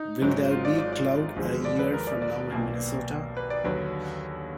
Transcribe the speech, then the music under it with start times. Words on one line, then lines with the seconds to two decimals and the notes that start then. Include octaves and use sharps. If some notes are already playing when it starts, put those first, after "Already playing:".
Will there be cloud a year from now in Minnesota?
Already playing: D#4
0.21 G#1 G#2 F#3
0.50 F4
0.65 D5
0.79 D5
0.93 D5
1.36 D#2 D3 F3 G#3
1.65 D5
1.79 B4
1.94 A#4
2.07 D5
2.22 D5
2.50 B1 B2 A#3
3.37 B4
3.50 D5
3.64 D#2 D3 F#3 B4